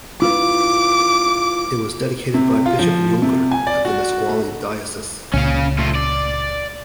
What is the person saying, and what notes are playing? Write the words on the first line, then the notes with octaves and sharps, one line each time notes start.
It was dedicated by Bishop Junger of Nesqually Diocese.
E4 F4 B4 D6
C3
F4
F3
C3
G#5
D5
F#4
A3
C#2 A#2 C#4 F5
A3 F4
D5